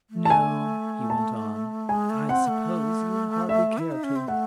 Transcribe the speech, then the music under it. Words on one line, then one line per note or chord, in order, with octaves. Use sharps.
"No," he went on, "I suppose you'd hardly care to."
A3
A5
G#5
A5
G#3 G#5
A3
C4 F#5
A3
E5
E4
D#4
C#4
C4
A3 F#5